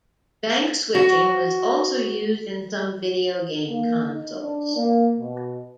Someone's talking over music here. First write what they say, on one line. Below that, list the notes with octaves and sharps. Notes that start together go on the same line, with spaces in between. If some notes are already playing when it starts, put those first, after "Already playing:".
Bank switching was also used in some video game consoles.
F#4
A#3
D#4
D4
A#3
B2